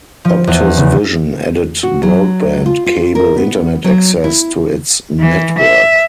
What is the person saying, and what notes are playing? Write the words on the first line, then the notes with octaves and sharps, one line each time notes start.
Optus Vision added broadband cable internet access to its network.
F3
E2
C#3
F#4
F#3
F4
F4
A#4
B3
F#3
E4
E3
E5